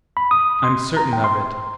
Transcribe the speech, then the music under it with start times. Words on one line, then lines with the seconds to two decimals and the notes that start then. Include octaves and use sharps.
"I'm certain of it."
0.17 B5
0.31 D#6
0.64 C6
0.97 A#5
1.13 G5
1.24 C6